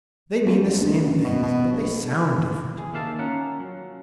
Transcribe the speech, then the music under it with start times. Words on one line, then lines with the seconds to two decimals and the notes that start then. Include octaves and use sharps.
They mean the same things, but they sound different.
0.46 F2
0.65 F#1
0.78 D2
1.04 F#2
1.24 B2
1.43 B2
1.72 A#1
2.78 G#4
2.93 D#2 D#3 A#3 E5 F5 A5
3.19 C#4 F4 A#4 F#5
3.60 F#3